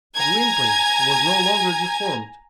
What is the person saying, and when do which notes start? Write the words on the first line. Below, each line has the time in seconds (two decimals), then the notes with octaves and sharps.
Gwynplaine was no longer deformed.
0.15 G#5 A#5 G#6